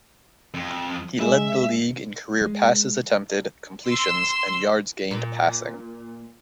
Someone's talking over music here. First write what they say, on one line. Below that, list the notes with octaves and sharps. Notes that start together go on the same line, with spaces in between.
He led the league in career passes attempted, completions, and yards gained passing.
F2
G#3 E5
G#3
C6 E6
A#2